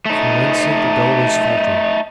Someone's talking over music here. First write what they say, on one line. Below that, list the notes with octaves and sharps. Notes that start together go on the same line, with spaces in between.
For an instant the Delawares faltered.
A3 D#4